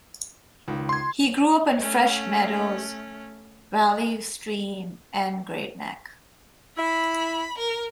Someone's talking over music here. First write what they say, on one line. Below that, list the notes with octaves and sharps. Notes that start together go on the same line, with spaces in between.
He grew up in Fresh Meadows, Valley Stream, and Great Neck.
C#2 D#3
C6 G#6
A3 C#4
E4 B5
A#4